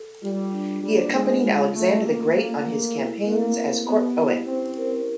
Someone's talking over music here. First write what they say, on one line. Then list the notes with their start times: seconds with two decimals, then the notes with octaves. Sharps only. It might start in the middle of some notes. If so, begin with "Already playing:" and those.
He accompanied Alexander the Great on his campaigns as court-poet.
Already playing: A4
0.22 G3 F4
0.53 D4
0.82 G3 A#3
1.12 G#3 A4
1.43 G#3 F4
1.73 A3 C#4
2.03 A3 A#3
2.35 A4
2.65 G#4
2.95 E4
3.26 A#3 C4
3.56 B4
3.86 B3 G4
4.16 E4
4.46 C4 C#4
4.77 A#4